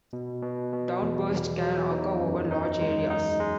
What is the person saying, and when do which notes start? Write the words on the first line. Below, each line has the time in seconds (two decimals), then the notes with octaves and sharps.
Downbursts can occur over large areas.
0.13 B2
0.42 B2
0.73 B2
1.02 E2
1.32 E2
1.61 F#3
1.91 D#4
2.21 F#2
2.51 D#4
2.81 G#3
3.10 D#4
3.40 G#3